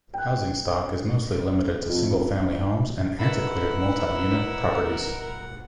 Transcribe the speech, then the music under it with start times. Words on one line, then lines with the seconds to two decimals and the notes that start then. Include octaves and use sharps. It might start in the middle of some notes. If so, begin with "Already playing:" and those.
Housing stock is mostly limited to single family homes and antiquated multi-unit properties.
0.14 G5 F#6
1.89 F2
3.19 E4 A#4 B4 D#5 F#5 B5